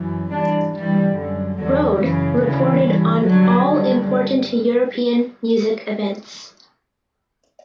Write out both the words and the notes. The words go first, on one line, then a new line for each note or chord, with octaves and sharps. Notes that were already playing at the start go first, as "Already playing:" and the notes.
Rohde reported on all important European music events.
Already playing: F#2 E3
G2 E3 D4
G2 E3 G3
F#2 D3
E2 D3 F#3
F#2 C#3 E3
D2 C#3 E3
G2 E3
G2 D3 F#3
G2 D3